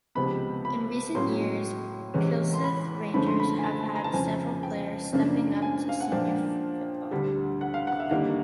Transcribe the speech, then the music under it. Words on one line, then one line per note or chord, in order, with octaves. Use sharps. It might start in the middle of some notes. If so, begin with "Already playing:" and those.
In recent years Kilsyth Rangers have had several players stepping up to Senior Football.
C#2 C3 F3 G#3 B3 B5
B5
A2 F#3 A#3 C#4 C6
E2 C3 E3 G#3 C#4
C6
B5
F#2 D3 F3 A3 B5
C6
B5
G#5
A5
A#5
A5
F2 C#3 F3 G#5
G5
F#2 C#3 F3 A#3 D4
G#5
F5
F#5
A#2 F3 A#3 D4 G5
D2 D3 G3
F#5
F5
F#5
E5
D#2 D3 G3 A#3 D#4 F5